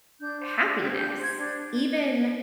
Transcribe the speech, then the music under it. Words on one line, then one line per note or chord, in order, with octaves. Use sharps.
happiness even
D4 G6
C5
D4
G4
G#6
D4 G6
C5
G#6
D4